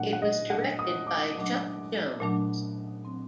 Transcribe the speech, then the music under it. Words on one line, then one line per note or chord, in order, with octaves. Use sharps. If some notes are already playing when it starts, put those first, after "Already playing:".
It was directed by Chuck Jones.
Already playing: A#2 F#3 A3 D4 F#5
F#5
D#5
A#2 F#3 A3 D4 F#5
D#6
D6
A#2 F#3 A3 D4
A#2 F#3 A3 D4
F#3 C4